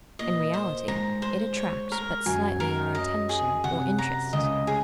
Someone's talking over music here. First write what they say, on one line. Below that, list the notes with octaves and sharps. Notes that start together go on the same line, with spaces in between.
In reality it attracts but slightly our attention or interest.
A#2 A#3 D#5
C5
G#2 G#3 A#5
C5
C#5
A#4
F#2 F#3 G#5
A#4
D#5
G#4
C3 F#5
A#5
C#2 C#3 D#5
G#4